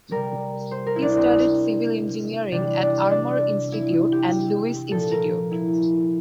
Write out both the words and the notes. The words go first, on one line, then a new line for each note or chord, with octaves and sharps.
He studied civil engineering at Armour Institute and Lewis Institute.
C3 G3 A#4
C5
A#4
E4
D4
C4
C3 E3 G3 D4
D4
D4
E4
G4
A#2 F3 A4
A#4
E4